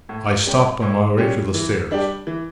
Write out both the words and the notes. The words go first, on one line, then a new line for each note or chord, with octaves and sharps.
I stopped on my way to the stairs.
A2
G3 C#4 G4
A2
G3 C#4 G4
E3
G3 D4 G4
E3